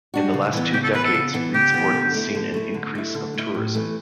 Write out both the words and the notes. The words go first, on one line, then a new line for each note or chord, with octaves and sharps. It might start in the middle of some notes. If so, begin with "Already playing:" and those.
In the last two decades, Reedsport has seen an increase of tourism.
G3 D4 F#4
C#3
E3 B3
C#3 G4
A4
E3 B3 B4
A4
C#3
E3 B3
C#3 G4
E3 B3
D3
A3 E4
D3
A3 E4
D3
A3 E4
D3
A3 E4
A2
E3 A3